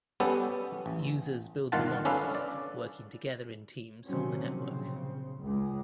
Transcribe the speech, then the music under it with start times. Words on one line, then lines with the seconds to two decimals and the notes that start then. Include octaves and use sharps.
Users build the models working together in teams on the network.
0.20 G3 B3 C#4 G4 A4
0.86 A1
1.72 G1 D#3 F4 F5 F#5 A5
2.05 C#4 D4 A4 B4 F5
2.35 D5
4.06 C3 D#3 F3 F#3 C4 C#4
4.55 A#1 C#3 C4
5.42 C#2 G#3